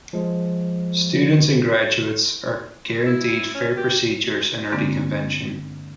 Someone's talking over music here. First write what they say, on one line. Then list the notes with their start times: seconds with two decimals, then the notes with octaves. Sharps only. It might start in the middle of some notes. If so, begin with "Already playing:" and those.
Students and graduates are guaranteed fair procedures under the Convention.
0.13 F3 G#3
3.06 E4
3.55 C#4
3.76 G4
4.72 G2 D3 G#3 A#3 C4 D4